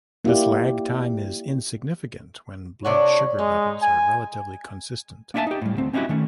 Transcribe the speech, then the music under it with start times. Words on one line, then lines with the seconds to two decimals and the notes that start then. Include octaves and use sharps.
This lag time is insignificant when blood sugar levels are relatively consistent.
0.24 A#3 E4 F4 G4 D5
2.85 C3 D4 F#4 C#5
3.38 G#3 D#4
3.82 G#5
5.34 A#3 D4 E4 E5 G#5 A5
5.47 D#4 G4
5.62 A2 G3
5.77 D2 C4
5.93 C4 C#4 D#4 E4 F#4 G4
6.09 D#3 A3 C#4